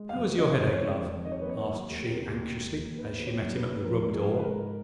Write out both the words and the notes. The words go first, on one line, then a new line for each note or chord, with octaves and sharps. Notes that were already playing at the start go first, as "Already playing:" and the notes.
"How is your headache, love?" asked she anxiously, as she met him at the room door.
Already playing: G#3
F5
F#2
C#3 D#5
F2
C#5
G#3
F2
D#3 D#5
C#5
B4
A#3 C#5
F#3
D#2
G#4
C#3 A#4
D#2
G#3
D#2
D#3 B4
D#2
C#5
F#3
B4
D#2
F3 A#4
G#2 A#4
G#4
G#3
B4
A#4
G#2